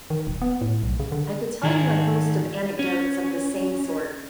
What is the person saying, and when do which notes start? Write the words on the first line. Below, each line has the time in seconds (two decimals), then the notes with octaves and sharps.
I could tell you a host of anecdotes of the same sort.
0.10 D#3
0.27 D#1
0.42 B3
0.61 A2
0.83 B1
1.00 C#3
1.12 D3
1.63 D#3 G#4
2.79 C#4